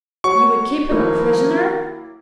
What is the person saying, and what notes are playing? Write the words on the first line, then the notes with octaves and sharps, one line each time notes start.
"You would keep him a prisoner?"
F#3 F#4 C#5 C#6
D#3 F3 F#3 A#3 D#4 E4 A#4